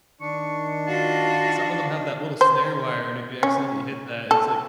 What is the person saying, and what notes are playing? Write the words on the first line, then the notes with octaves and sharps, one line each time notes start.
some of them have that little snare wire, and if you accidentally hit that, it's like,
D#3 D4 C#6
F4 F#4 A5
C5
C#4
A4